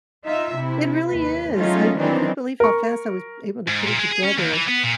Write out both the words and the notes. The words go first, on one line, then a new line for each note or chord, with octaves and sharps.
It really is. I I couldn't believe how fast I was able to put it together,
D#4 F4 E5
C3 E4
D#2 B4
F#3 G#3 A3 C#4 D#4 F4
D#3 E3 F#3 C4 D4 D#4
A#4 C#6
G#2
A#2
G#3
G#4
C#4
D#2
E3
B3
A#2